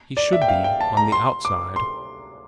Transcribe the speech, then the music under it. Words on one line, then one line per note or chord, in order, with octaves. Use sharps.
He should be on the outside.
D5
E5
G5
F5
G5
A5
A#5
C6
D6
C6